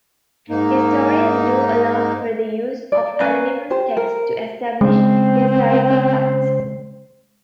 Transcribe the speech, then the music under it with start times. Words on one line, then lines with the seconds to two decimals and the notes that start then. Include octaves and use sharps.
Historians do allow for the use of anonymous texts to establish historical facts.
0.50 G#2 A#3 D#4
2.92 D5
3.20 C#4 B4 F5 A#5
3.70 G4 C5
3.97 A#4
4.81 C#3 G#3 C4 C5